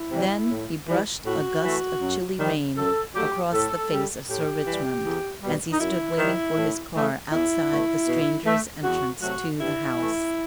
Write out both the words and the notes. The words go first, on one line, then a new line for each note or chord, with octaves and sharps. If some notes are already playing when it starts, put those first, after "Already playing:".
Then he brushed a gust of chilly rain across the face of Sir Richmond as he stood waiting for his car outside the strangers' entrance to the House.
Already playing: E4
C3 E3 G3
A2
E3 G3
A2 F#4
E3 A3
F#2
D#3 G3
F#2 A4
F#3 A3 G4
A2 A4
G3
A2 G4
E3 G3
E2
B2 G3
D#4
F#2 E4
D#3 G3
A2
E3 A3
E2 E4
B2 A3
B2
A3
E2 F#4
C3 F#3 A3 F#4
G2 E4
E3 A3